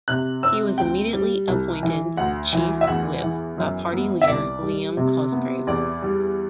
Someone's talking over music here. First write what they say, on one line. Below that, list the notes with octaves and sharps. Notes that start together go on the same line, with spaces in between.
He was immediately appointed Chief Whip by party leader Liam Cosgrave.
C3 F#6
C4 E6
D2 G5
G3
C2
E3
D2 F#5
E3
E5
E2 F#5
E3
F#2
B3
E5
C2 D5
G3
C3
B3
E2 D5
G3